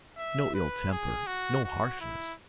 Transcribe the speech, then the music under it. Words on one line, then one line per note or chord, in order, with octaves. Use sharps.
No ill-temper, no harshness.
E5
B4
G#4
F#4
F#4
E4